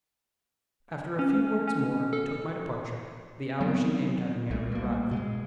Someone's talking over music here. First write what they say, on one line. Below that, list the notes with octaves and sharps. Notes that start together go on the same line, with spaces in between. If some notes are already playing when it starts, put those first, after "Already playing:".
After a few words more, I took my departure, the hour she named having nearly arrived.
C#4
C#4
A4
F#3 B3 C4
B1 B2 G3 A3
G3 A#3
B2 G#3